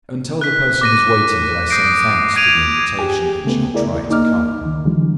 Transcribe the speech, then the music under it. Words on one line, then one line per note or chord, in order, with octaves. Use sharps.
"And tell the person who is waiting that I send thanks for the invitation, and shall try to come."
F#6 B6
D6 A#6 D#7
D#6 G6 A#6 C7 D7
D6 G#6 D7 D#7 F7
G4 G#4 G#5
C#3 A3 B3
E4 G#4 A#4 D5
A#3 D#4 D6 F6
C#2 D#3
D3 E3 F#3 G#3